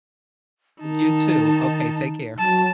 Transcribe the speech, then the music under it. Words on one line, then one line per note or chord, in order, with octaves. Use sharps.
You too, okay, take care.
D#3 D#4 A5
F#3 A5